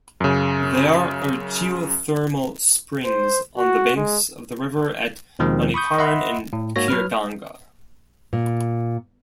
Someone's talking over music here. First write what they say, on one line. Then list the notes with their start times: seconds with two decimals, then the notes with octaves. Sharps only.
There are geothermal springs on the banks of the river at Manikaran and Khirganga.
0.20 F#2 C#3
3.05 C5
3.58 F#4
3.96 G#3
5.39 D#2 B2 D#3 F3 G#3 C4
5.74 B5 C#6 D#6 G6
5.98 D#5 E5 F#5 B5 C6
6.53 A2
6.76 G#2 A#3 F#4 C#5 A#6
6.88 F#3 B4 F6
8.33 A#2